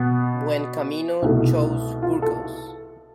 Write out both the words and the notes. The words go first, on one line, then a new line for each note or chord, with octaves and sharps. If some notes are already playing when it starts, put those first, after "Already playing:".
Buencamino chose Burgos.
Already playing: B2 B3
C2 B2 A3
F4
A4